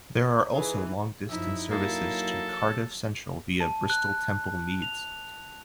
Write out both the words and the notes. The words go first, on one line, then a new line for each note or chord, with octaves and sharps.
There are also long-distance services to Cardiff Central via Bristol Temple Meads.
E3 D#4 G#4 B4
F#2 F3 D#4 E4 E5
F#3 A#3 A4
A5
F#6
F7